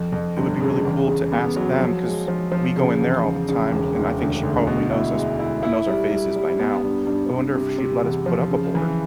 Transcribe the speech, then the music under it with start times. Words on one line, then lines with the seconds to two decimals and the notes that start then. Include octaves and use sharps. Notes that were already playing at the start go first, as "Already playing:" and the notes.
it would be really cool to ask them 'cause we go in there all the time, and I think she probably knows us knows our faces by now. I wonder if she'd let us put up a board
Already playing: F2
0.12 F2
0.37 G1
0.61 C#3
0.85 E2
1.08 C#3
1.32 B3
1.56 F#3
1.80 F3
2.05 G#3
2.28 F3
2.52 F3
2.77 C#3
3.01 E2
3.25 C#3
3.48 C#3
3.72 E1
3.96 E1
4.20 D2
4.43 D2
4.67 B2
4.91 E4
5.15 G#3
5.39 E4
5.63 E4
5.88 G3
6.11 G3
6.36 G3
6.59 B3
6.84 G2
7.07 G2
7.30 G2
7.55 C3
7.78 C3
8.03 E2
8.26 F3
8.51 C#3
8.75 E3